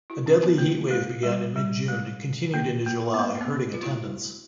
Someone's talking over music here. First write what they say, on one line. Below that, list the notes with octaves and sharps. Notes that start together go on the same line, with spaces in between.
A deadly heat wave began in mid-June and continued into July hurting attendance.
E4 F#4
C#4
B3
A#3
G#3
G3
G3
G#3
A#3
A#3
B3
A#3
B3
C4
F4
E4 F#4